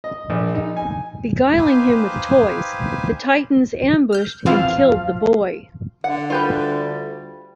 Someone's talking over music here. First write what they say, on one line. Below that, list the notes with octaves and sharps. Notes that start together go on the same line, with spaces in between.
Beguiling him with toys, the Titans ambushed and killed the boy.
D#5
A#1
D#4
G#5
D#4 G4 B4 C5 F5 G#5
F6 G6
E3 F3 C4 F4 F5 F7
D3 F#5
D2 G3 F4 G4 B4